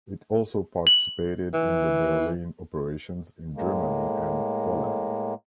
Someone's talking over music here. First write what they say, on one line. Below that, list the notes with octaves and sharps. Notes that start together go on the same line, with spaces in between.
It also participated in the Berlin operations in Germany and Poland.
F#7
E3
A2 G#3 A#3